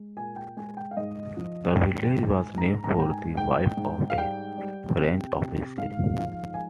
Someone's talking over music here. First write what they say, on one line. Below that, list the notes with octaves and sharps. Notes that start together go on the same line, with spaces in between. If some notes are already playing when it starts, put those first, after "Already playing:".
The village was named for the wife of a French official.
Already playing: G#3
A#2 G#5
G5
G#3 G#5
G5
F5
G#2 D#5
F3
G#2 G5
G5
G#2
G#5
G#2 A#5
A#5
G#2 G5
G#5
G#2 G5
G#2
F5
G3 G5
G3
C3
C3
G#2 F5
F3 F5
G#5